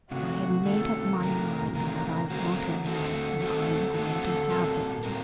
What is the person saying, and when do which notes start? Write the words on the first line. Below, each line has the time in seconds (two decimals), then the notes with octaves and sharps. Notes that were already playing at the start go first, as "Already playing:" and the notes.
I have made up my mind what I want in life and I am going to have it.
0.11 C3 D#3 A3 F#4
0.66 C3 D#3 A3 A4
1.20 C3 D#3 A3 A#4
1.76 C3 D#3 A3
2.30 D3 A3 C4 F#4
2.85 D3 A3 C4 F#4 A4
3.39 D3 A3 C4 F#4
3.93 D3 A3 C4 F#4 A4
4.49 A#2 G3 C4 F#4 A#4
5.03 A#2 G3 C4 F#4 A#4